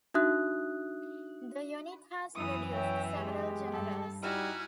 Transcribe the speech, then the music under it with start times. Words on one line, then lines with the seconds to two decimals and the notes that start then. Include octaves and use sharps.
The unit has produced several generals.
0.14 D4 D#4 F#4 E5 D#6 F#6
2.35 F#2 E3 B3 E4 D#6
2.72 C#5 E5 G5
3.16 G#3 G4
3.72 G2 A4
4.22 G3 D#4 E4 F#4 G#5 F6